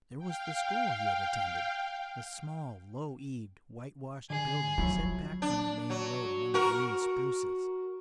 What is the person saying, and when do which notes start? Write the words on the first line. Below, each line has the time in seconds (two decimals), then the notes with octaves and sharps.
There was the school he had attended, a small, low-eaved, white-washed building set back from the main road among green spruces.
0.18 F5 G5
4.30 D3 G#4
4.78 F3 F#3 E4 C#5
5.42 D4
5.90 F#3
6.54 F#4 A#4